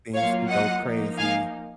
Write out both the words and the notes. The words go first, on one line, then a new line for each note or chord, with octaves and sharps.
things can go crazy,
F#3 A#3 F4 C#5 F5
D#5 F#5
F3 A#3 D#4
F5 G#5